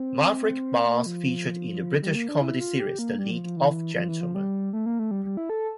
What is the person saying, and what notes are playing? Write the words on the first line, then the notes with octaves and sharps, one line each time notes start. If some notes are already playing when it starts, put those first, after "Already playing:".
Maverick bars featured in the British comedy series The League of Gentlemen.
Already playing: C4
A#3
F3
G3
A#3
D4
E4
F4
G4
A#3
G3
F3
F3
E3
F3
E3
F3
G3
A3
A#3
A3
G3
G3
E4
A4